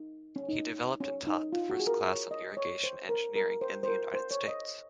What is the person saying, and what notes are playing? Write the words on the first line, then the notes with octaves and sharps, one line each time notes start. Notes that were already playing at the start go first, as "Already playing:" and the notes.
He developed and taught the first class on irrigation engineering in the United States.
Already playing: D#4
C#4
D#4
C#4
D#4
F4
F#4
G#4
A#4
C#5
D#5
C#5
C5
A#4
A#4
C5
C5
A#4
C5
C#5
D#5